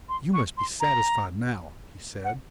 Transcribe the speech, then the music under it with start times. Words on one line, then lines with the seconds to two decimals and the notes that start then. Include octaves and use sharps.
"You must be satisfied now," he said.
0.09 C6
0.34 C#6
0.57 C6
0.80 A#5
2.24 F#5